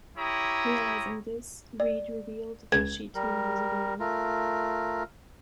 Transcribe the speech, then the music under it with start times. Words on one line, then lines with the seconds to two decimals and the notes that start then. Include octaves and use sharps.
Realising this, Read revealed that she too was a woman.
0.18 E4 G4 C#5 A#5 D#6
1.80 D5
2.72 C#2 G#6
3.15 G3 A#4
4.00 A3 F4 A#4